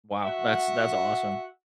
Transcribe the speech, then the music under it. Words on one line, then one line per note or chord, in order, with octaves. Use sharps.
Wow. That's that's awesome.
F#4 E5 F#5